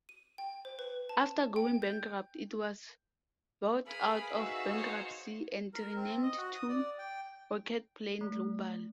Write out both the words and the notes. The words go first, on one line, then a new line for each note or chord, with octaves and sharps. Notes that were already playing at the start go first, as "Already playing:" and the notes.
After going bankrupt, it was bought out of bankruptcy, and renamed to Rocketplane Global.
D#7
G5
C5
B4
A5
G5
G6
G#4 A#4 B4 F5 G#5 B5
D#4 F#4 E5
C5 C#5
A#4
C4
D#5
F#4
D#6
D5
G5
A3